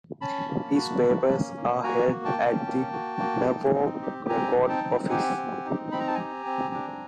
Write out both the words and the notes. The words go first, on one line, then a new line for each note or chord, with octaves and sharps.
His papers are held at the Norfolk Record Office.
C#4 A5 B5
A#3
F#4
A#3
C#4
A#3
F#4 G#5 A#5
A#3
G5 A5
C#4
A#3
F#4
A#3
D#4
C4
G4
C4 G#5 A#5
D#4
G5 A5
C4
G4 F#5 G#5
C4
D#4
C4 B5
A#5
A5
G4 G#5 A#5
C4
D4